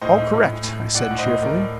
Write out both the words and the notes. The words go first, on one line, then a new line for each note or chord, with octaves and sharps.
"All correct," I said cheerfully.
A2 C5 D#5
A2
A2
A2
A2
A2
A2 D5 F#5
A2
C5 D#5
A2
A2 A#4 D5
A2